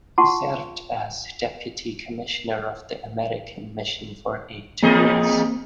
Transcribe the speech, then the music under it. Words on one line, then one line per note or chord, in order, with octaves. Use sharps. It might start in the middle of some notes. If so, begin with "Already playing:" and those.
He served as Deputy Commissioner of the American Mission for Aid to Greece.
F4 F#5 A5 C6 C#6
E2 A#3 C4 G#4 D#5